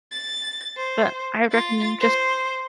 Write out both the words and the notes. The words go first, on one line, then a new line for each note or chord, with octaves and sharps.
But I would recommend just
A6
C5
F4 A6
C5